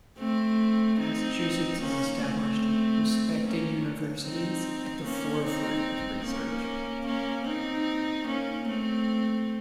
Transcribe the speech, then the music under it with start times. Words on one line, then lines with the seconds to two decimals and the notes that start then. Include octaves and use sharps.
Massachusetts has established respected universities at the forefront of research.
0.19 A3 C4
0.99 C4 D#4
1.80 A#3 C#4
2.21 A3 C4
3.42 A#3 C#4
4.23 C4 D#4
5.04 A#3 C#4
5.44 C4 D#4
6.25 A#3 C#4
7.06 A#3 C#4
7.46 C4 D#4
8.27 A#3 C#4
8.68 A3 C4